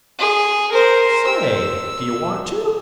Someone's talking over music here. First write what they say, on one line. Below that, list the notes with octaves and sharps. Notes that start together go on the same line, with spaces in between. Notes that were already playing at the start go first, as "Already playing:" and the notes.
Say--do you want to?'
G#4
A#4 C5
E6